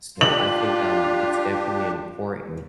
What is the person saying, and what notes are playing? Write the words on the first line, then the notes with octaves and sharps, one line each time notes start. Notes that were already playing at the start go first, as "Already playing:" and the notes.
So I think, um, it's definitely important
D4 F4 G4 F#7